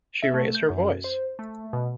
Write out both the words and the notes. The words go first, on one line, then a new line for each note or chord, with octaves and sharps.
She raised her voice.
E5
A3
G6
F#2
C5
A3
B2